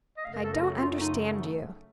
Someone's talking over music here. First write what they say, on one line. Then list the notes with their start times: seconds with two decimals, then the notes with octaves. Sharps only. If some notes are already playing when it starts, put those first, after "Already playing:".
"I don't understand you."
0.18 D#5
0.25 F#2 C#3 A3 F5
0.34 A#4
0.44 A4
0.54 A#4
0.63 F#4
0.81 F4
1.01 D#4